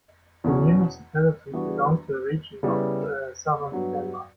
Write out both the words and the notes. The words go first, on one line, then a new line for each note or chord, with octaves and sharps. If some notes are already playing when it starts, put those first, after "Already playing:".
The municipality belong to Region of Southern Denmark.
E2 B2 F#3 C#4
E3 G3 B3 D4 F#4
C#3 G3 B3 E4
G2 F#3 B3